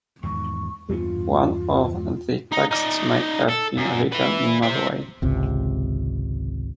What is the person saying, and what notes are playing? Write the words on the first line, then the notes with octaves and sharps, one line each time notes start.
One of the texts may have been written in Norway.
E2 G#2 D#3 C#6
E2 G2 B3 F4
D#4
D#4 D5
A4
F#2
B4 E5
C4 E5
G#1 C#2 C3